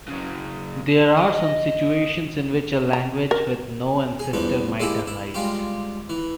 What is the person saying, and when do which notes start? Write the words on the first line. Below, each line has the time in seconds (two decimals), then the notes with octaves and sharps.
There are some situations in which a language with no ancestor might arise.
0.08 C#3 F#3
1.19 D#5
2.93 A#5
3.31 A#4
4.19 G#4
4.33 E2 G2 F3 B3
4.80 G#3 A#3 E4 G4 G#4
5.07 E4
5.34 G3 G#3 F4 G4
6.09 E3